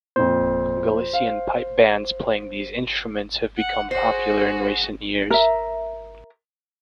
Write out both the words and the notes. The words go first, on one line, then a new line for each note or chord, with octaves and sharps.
Galician pipe bands playing these instruments have become popular in recent years.
F2 A#2 C5
F5
F#5
F#4 G#4 C5
A#4 E5